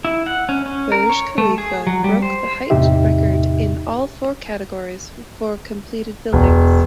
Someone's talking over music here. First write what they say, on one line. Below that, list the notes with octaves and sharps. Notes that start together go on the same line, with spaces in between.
Burj Khalifa broke the height record in all four categories for completed buildings.
E4
F#5
C#4
C#4
A#4
C#5
A3
G#4
F#3
G3
C5
E2 A2 C3 D#4 G4 E5
E1